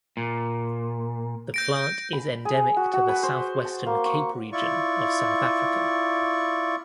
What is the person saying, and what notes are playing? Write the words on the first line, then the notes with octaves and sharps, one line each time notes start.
The plant is endemic to the southwestern Cape Region of South Africa.
A#2
G6 A#6 D7
B5
G#4
F#4
F#4
B4
C5
A5
A#3
C#6
E4 F4 D5 C#6